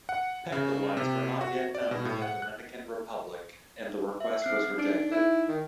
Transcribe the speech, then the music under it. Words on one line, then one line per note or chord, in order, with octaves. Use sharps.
Pectolites were not yet known in the Dominican Republic, and the request was rejected.
F#5
C#3
C3
F#4
D5
B2
A2
F#5
F#6
E5
C4 F#6 C7
D4 D#4 D7
E4
D#3